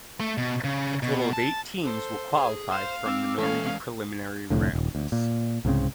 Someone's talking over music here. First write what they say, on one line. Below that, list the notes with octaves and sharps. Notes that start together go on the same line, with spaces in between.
A total of eight teams will qualify from the Normandy preliminary rounds.
A3
B2
C#3
B2
A5
A4 C5
G#4
C5 F5 C6
C4 D6 E6
E3 G#3 C#4 A4 F5
C2 F2 A2 D3
D#1
D2
A#2
C2 G#2 C#3 C4